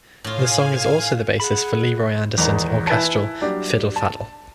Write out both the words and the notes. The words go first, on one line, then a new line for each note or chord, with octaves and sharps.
The song is also the basis for Leroy Anderson's orchestral "Fiddle Faddle".
A2 F4 F5 G#5
G#4 F#5 B5
E2 G#2 D#3 D#4
E4 B4 G#5 A5
F#3 G3 D4 G4
A5